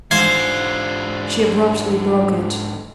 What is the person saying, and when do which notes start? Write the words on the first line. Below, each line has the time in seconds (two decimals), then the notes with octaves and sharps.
She abruptly broke it.
0.11 G#2 D3 C5 F5 G#6 C7